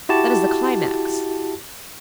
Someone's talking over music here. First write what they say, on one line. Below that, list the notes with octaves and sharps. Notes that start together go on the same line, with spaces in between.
That is the climax.
E4 F#4 G4 A5